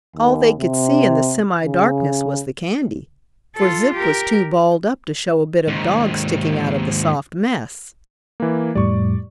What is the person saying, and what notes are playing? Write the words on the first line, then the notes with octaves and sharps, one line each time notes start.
All they could see in the semi-darkness was the candy, for Zip was too balled up to show a bit of dog sticking out of the soft mess.
D#2
C3
C#3
F4 A4
G4 A#4
D#2 G#2
E3 A#3
F2 A2 G3 D5 C#6